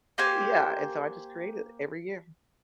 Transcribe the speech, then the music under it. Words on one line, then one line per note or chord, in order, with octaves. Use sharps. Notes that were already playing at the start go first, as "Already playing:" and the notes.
Yeah, and so I just create it, every year.
A#3 G4 C5 G#5